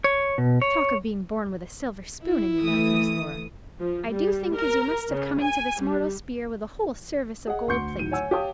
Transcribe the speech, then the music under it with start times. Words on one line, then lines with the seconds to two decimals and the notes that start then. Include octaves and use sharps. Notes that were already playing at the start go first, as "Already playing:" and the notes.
Talk of being born with a silver spoon in your mouth, Miss Laura; I do think as you must have come into this mortal spear with a whole service of gold plate.
0.04 C#5
0.38 B2
0.62 C#5
2.24 E4
2.60 E3 A3 D#6
3.80 F3
4.10 G3
4.56 A#4
5.10 C#3
5.40 G#5
5.80 G3
7.47 G#4 D#5 F#5
7.68 D2 C6 C#6 G6 C#7
7.99 D1 D#3 D#7
8.11 C#5 F#5 G#5 E6
8.31 G4 C#5 F5 A5 D#6